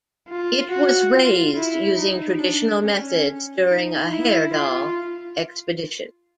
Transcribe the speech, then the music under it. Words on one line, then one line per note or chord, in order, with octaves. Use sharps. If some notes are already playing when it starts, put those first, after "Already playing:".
It was raised using traditional methods during a Heyerdahl expedition.
F4
F#4
F4
E4
D#4
D4
C#4
D#4
E4
F4